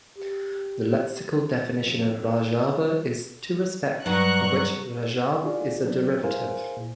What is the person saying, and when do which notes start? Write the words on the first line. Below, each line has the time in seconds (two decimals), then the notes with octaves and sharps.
The lexical definition of Rajaba is "to respect", of which Rajab is a derivative.
0.17 G4
1.84 F2
4.06 G2 F#3 A#5 C#6 F#6
5.44 D4 D#4 F4 F#4 G#4 D5
5.84 F#3 B3 D4
6.23 E4 G#4 A#4 C5 F5 G#5
6.77 A#2